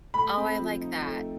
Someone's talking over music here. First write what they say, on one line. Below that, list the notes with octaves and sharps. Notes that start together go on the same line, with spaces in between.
Oh, I like that.
A3 B5
C4
F3
D#4
A3